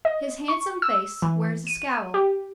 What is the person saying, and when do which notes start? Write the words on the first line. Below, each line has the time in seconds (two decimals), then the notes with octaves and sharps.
His handsome face wears a "scowl."
0.05 D#5
0.48 C#6
0.82 E6
1.22 E3
1.67 D#7
2.14 G4